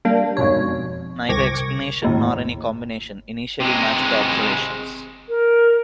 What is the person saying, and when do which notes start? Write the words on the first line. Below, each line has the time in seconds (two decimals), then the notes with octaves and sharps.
Neither explanation, nor any combination, initially matched the observations.
0.05 G3 A#3 D4
0.37 F2 G#2 B2 C#5
1.29 G1 C2 C#6 D6 G#6 A#6
2.02 G#1 D#2 A2
3.60 C3 G#3
5.29 A#4